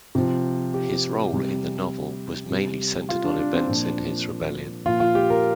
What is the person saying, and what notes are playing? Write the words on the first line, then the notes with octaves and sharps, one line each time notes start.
His role in the novel was mainly centered on the events in his rebellion.
C3 F3
G4
C3 G3
C3 G3
F4
D4
D4
C4
A#2 F3 D4
A#2 F3 F4
F4
G4
A#4